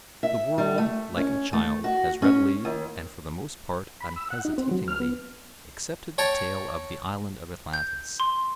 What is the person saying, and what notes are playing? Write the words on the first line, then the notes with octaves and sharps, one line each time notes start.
The world, like a child, has readily, and for the most part unhesitatingly, accepted the tale of the Island of Atlantis.
E5
G3
A3
C#4
A3
F#4
C#4
D#2
B5
E6
F#5
D#4
C4
F#3
F6
B3
C#5 G5 A5 A#5
G6
C6